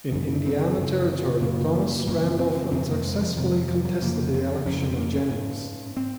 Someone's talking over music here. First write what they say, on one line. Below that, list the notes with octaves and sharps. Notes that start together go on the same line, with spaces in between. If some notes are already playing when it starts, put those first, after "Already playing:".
In Indiana Territory, Thomas Randolph unsuccessfully contested the election of Jennings.
F#2 C#3 C4
C4
F#2 C#3
F#2 C#3 A#3
F#2 C#3 A#3
C4
C4
C4
F2 C3 C4
A#3
G#3
F3
F2 C3 D#3
F3
F3
F#3
F2 C#3 A#3
C4
F2 C#4
C#3
C4
A#3
C#4
G#2
C4